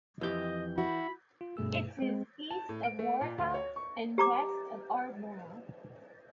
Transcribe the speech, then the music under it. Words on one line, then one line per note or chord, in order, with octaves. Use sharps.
It is east of Waurika and west of Ardmore.
F2 E3 G4 D#5 G6
E4 F#4 B5
F4
G2 B2 A3 G#4 E6
G#3 C4
A5
A2
D7
A3
A#2
D2
C#5
C#6
G4 A#5 D6